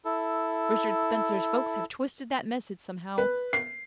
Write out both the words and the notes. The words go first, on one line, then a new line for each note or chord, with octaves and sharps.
Richard Spencer's folks have twisted that message somehow.
E4 A4
B4
C7